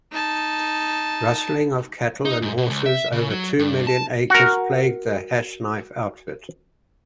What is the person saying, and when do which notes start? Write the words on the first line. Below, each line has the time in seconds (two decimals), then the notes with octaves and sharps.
Rustling of cattle and horses over two million acres plagued the Hashknife Outfit.
0.12 D#4 A5
2.25 D#4
2.42 G#2
2.57 B2
2.70 C#2
2.86 E5
3.12 C#3
3.30 F#3
3.59 G2
3.87 A5
4.30 F#4 A#4